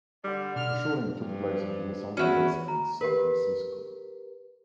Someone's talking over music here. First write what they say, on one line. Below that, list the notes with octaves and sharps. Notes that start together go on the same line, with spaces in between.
The shooting took place in Los Angeles and San Francisco.
D3 G3
B2 D4 F6
G2 F3
E2 C#4 E4 F#4
A#5
G4 A#4 B4